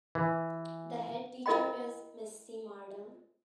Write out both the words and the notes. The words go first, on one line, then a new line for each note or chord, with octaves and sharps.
The headteacher is Miss C Mardell.
E3
E4 A#4 D#5 G5 B5